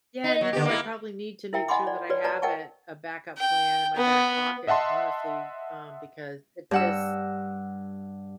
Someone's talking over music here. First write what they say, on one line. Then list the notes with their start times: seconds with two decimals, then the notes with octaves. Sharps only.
Yeah, and, you know, I probably need to make sure that I have it a backup plan in my back pocket, honestly, um, because it is
0.24 D#4
0.41 F#3
0.53 D3 G4
0.65 A#3 B3 E4
1.53 E4 A#4 E5 G5 A#5
1.68 D#5 F#5 G#5 B5 C6 D6
1.87 D5
2.10 F#4 B4 C#5 D5
2.24 B4 D5 A5 A#5
2.42 A#4 D#5 F#5 G5 A5 C#6
3.38 G5
3.96 B3
4.67 D#5 E5 F#5 A5 C6
6.71 G2 F#5 E6